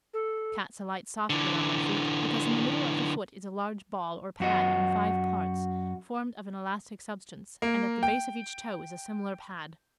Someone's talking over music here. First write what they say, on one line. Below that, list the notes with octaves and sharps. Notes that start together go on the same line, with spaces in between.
Cats alight softly on their feet, because in the middle of the foot is a large ball or pad in five parts, formed of an elastic substance, and at the base of each toe is a similar pad.
A4
D3 E3
F#2 F#4 D#5
A#3
G5